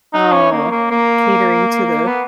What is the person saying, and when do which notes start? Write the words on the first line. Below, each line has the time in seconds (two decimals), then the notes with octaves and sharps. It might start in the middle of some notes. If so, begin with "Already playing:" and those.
Oh, catering to the
0.13 D#4
0.32 C#4
0.52 A#3
0.71 A#3
0.91 A#3
2.07 B3